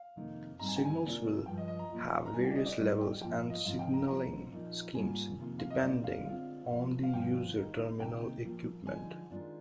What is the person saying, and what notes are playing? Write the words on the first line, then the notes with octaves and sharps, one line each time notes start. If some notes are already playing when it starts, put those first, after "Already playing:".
Signals will have various levels and signaling schemes depending on the user terminal equipment.
Already playing: F5
F2 C3 D#3 A#3 D#4
G#2 G3 C4 D#4 A#5
G#5
G5
G#5
C3 D#3 A#3 D4 F4
G2 F3 G#3 G5
D#5
D#5
A#5
A#2 F3 A#3 F4
A#5
D#3 G3 D4 F4 G#5
G5
D5
D#5
D5
A#2 G3 A#3 D4 F4
G5
G#2 F3 A#3 F4 G5
F5
D#5
G#2 F3 G#3 C4 F4 F5
G5
A#5
D3 F3 G#3 C4 F4 A#5
A#2 F3 A#3 D#4
G#2 G3 A#3 F4 G#5
F2 C3 D#3 A#3 F4
F5
D#5
A#2 G#3 D#4 D5
F5
D3 G#3 C4 F4 F5
A#2 F3 A#3
F5
G2 D3 F3 C4 G5
D#3 G#3 D#4
C3 D#3 A#3 D#4 G5
A#2 F3 A#3 F4
D3 F3 G#3 D#4 G#5
D#3 G#3 D4 F4